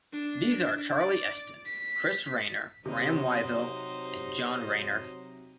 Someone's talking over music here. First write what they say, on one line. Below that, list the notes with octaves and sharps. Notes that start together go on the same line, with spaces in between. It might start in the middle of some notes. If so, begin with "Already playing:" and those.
These are Charlie Elston, Chris Raynor, Graham Wyvill and John Raynor.
D4
D5
B6
C3 F#3 D#4 C5